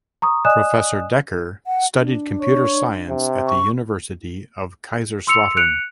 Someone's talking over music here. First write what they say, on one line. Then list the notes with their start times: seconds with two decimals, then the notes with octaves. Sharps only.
Professor Decker studied Computer Science at the University of Kaiserslautern.
0.22 A#5 C#6 D#6
0.45 D5 D#5 G#5 D#6 F#6 E7
1.67 F#5
1.98 D4
2.42 C#5
3.09 C3
3.48 C#6
5.27 C6 E6 C#7 F7
5.57 F#6 C#7 D7 F7